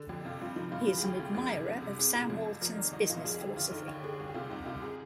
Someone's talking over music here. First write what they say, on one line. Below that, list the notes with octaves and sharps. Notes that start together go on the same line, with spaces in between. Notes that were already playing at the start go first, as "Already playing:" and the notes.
He is an admirer of Sam Walton's business philosophy.
Already playing: D3
F2 G4
C3 F4
G2 F4
F3 D#4
G2 F4
F3
G#4
D2 G4
C3 F4
F2 G#4
C3
C2
C3
C2 G#4
A#2
F2
C3
F2 A#4
D#3 D5
C2 D#5
A#2 F5
F2 G#4
D3 G4
D#2 F4
D3 D#4
D#2 G4
D3 G#4
C2 G#4
G4
C3 F4
C2 D#4
C3 F4
G#4